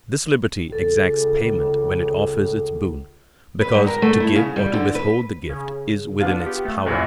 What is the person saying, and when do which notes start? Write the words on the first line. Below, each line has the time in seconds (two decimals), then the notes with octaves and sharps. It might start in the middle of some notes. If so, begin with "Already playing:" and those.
This liberty exacts payment when it offers its boon, because to give or to withhold the gift is within its power.
0.72 C#2 A4
3.61 B4
3.75 G2
3.87 A#4
4.02 A3
4.20 E4
4.36 C#3
4.56 G3
4.74 D3
4.95 B4
5.49 C#3
6.21 B3 D4 F4
6.46 G4
6.65 A3
6.85 D1 A#1 F#2